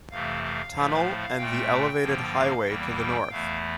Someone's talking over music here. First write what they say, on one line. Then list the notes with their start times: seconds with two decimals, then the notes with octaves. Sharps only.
Tunnel and the elevated highway to the north.
0.11 F2 C3 E3 A3 F5
0.43 F5
0.74 A2 F3 A3
1.38 A#2 A3 G5
2.02 G2 D3 F3 A#3
2.33 F5
2.66 E2 E3 G3 A#3 G5
2.97 G5
3.30 E2 E3 A3 F5